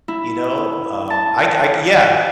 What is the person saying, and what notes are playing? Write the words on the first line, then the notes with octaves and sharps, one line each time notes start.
you know? Um, I c I c yeah,
E4
A5